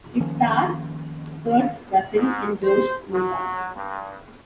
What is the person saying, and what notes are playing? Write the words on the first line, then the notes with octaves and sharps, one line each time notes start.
It stars Kurt Russell and Josh Lucas.
D#3 F3 A#3 C#4
G#2
C5
F#3
G2